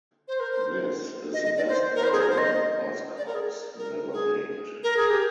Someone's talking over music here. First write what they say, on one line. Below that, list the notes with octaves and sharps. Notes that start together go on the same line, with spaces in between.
This is the best album Buzzcocks never made.
C5
A#4
C5
D#5
D#5
D5
C5
A#4
C5
G#4
A#4
C5
D#5
D5
A#4
G#4
A#4
G#4
A#4
G#4
G4